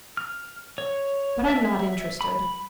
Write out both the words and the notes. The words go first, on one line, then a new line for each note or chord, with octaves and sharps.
But I'm not interested.
F6
C#5
E5
B5